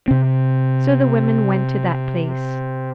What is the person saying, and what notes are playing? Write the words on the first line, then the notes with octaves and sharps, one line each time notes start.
So the women went to that place.
C3 C4